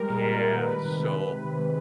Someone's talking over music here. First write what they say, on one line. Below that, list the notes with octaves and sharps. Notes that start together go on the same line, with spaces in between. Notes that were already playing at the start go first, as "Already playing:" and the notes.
Yeah, so
Already playing: G3 G#3 A#4
A#2
G#3
A#2
D#3 B4
D#3
C3
G#3
C3
C3
D#3
G#3